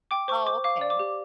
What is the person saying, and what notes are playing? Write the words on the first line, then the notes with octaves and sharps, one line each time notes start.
Oh, okay.
G5 D6
C5 C#6
C5 D6
F5 D6
D5
D6
G4